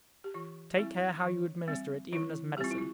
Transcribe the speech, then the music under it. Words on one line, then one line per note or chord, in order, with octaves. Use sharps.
Take care how you administer it even as medicine.
G4
E3 F4
G3 C4 E4
E3
G3 C4
E3 E4
G3 C4 F4 G4
E4
F4